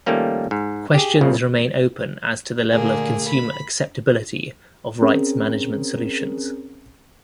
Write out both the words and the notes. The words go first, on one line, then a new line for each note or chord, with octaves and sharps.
Questions remain open as to the level of consumer acceptability of rights management solutions.
D#3 F3 G3 A3 A#3 C#4
G#2
G4 G#4
C2 A#2 C#3 F3
A#2 D3 A3 A#3 G#4
B5
C4 C#4 G#4 A#4